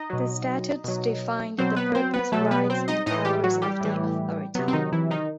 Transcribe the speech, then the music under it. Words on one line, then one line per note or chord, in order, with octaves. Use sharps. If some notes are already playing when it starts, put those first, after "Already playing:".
The statutes define the purpose, rights and powers of the authority.
Already playing: D#4 D#5
B2 F#3
B2 F#3
B2 F#3 C4 C5
B3 B4
C4 C5
B3 B4
B2 F#3 A3 A4
B3 B4
C4 C5
D#4 D#5
A2 E3 D#4 D#5
G3 G4
F#3 F#4
G3 G4
A2 E3
C3 F#3 B3
C4
D#3 D#4
E3 E4
D#3 D#4